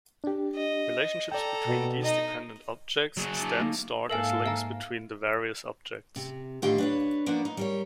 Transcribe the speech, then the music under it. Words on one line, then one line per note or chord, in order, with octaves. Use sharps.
Relationships between these dependent objects is then stored as links between the various objects.
D4 G4
D#5
A4 D5 G5 A#5
B2
D#4 D#5
F#3 G#4
D4 E4
D3 A#3 D#4
G#2 A#3 A4 A#4 E5 F5 G#5
E5 G#5 A#5
C3
A2 D3 D#3 F4 G4 G5
D4 B4 C#5
F3 A#3 B3 D4 F#4
D#4
G3 A#4 C#5